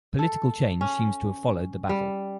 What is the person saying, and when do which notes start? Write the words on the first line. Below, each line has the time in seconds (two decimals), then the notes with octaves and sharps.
Political change seems to have followed the battle.
0.19 A4
0.81 C#4
1.89 G3